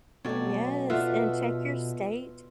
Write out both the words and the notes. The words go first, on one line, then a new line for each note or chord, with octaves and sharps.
Yes, and check your state
B2 F#3 A3 C4 C#5 D5
B3 F4 A4 D5 E5 F#5